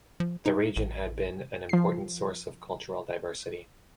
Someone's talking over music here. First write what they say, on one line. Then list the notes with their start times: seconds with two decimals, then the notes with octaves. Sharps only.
The region had been an important source of cultural diversity.
0.20 F3
0.46 D#4
0.76 A1
1.69 F3 C7